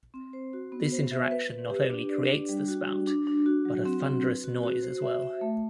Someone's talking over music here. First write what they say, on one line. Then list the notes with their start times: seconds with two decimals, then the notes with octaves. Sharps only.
This interaction not only creates the spout, but a thunderous noise as well.
0.14 C4
0.33 C5
0.53 F#4
0.72 B3
0.92 C5
1.11 E5
1.31 B4
1.50 B4
1.70 G4
1.90 D4
2.09 D5
2.29 D4
2.49 G3
2.68 F#4
2.87 F#4
3.07 D4
3.27 D4
3.46 F#4
3.65 F#3
3.85 C4
4.05 C4
4.24 B4
4.44 F#4
4.63 F#4
4.83 C5
5.02 E5
5.22 E5
5.41 A3